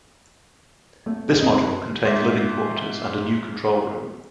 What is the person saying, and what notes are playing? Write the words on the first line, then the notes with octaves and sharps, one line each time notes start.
This module contains living quarters and a new control room.
A3
F1 D#4
B4 C6
G#2 E5